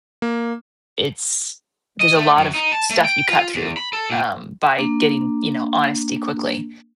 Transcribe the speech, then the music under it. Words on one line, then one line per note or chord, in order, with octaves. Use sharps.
it's there's a lot of stuff you cut through, um, by getting, you know, honesty quickly,
A#3
D#5
A3
F#2
D#4
A5
A3
G5
F4
E2
B5
A4
A#2
A#3 D4